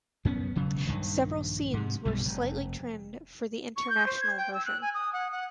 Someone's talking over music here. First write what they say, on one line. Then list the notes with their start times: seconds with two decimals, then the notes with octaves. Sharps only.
Several scenes were slightly trimmed for the international version.
0.25 F#2 B3 C#4
0.56 E1 C#3 F#3
0.87 A#1 G2 D#3
1.73 G#2 C3
2.05 B1 G2 B2 G3
2.25 F1
3.77 C#6
3.90 G6
4.06 C5
4.21 G#6
4.37 G5
4.54 E6
4.65 F#6
4.82 G#5
4.94 D#6
5.13 F#5
5.32 F#5